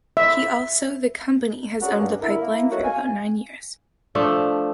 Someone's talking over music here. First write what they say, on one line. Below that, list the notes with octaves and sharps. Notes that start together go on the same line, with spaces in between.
He also the company has owned the pipeline for about nine years.
E5
C#4 D4 F#4 G#4 A#4 F#5
G2
D3 E4 A#4
A#3 E4
F#3 A3 A#3 D#4 E4 F#4
F5 G#5
F3 A3 D4